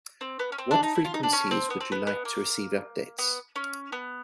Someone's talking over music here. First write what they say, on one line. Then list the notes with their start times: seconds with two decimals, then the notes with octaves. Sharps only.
What frequencies would you like to receive updates?
0.21 C4
0.39 B3
0.52 C#4
0.58 C4
0.71 D4
0.83 D#4
0.95 E4
1.05 F4
1.14 D#4
1.23 D4
1.33 C#4
1.51 C4
1.70 B3
1.81 C4
1.92 B3
2.07 B3
2.25 A#3
3.19 B3
3.56 C#4
3.92 B3